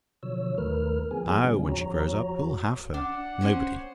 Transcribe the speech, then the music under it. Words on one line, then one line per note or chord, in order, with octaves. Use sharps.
Now, when she grows up, who'll have her? Nobody.
B2 D3 F3 F#3 C#5 E6
D#2 D#3 A3 A#4 B4 F6
F3 B3 G#4 G#5
A#2 C#3 G3 C4 D4
E2 F3 F#4 C#5 A#5
D4 F#5
C#4 C5 C#5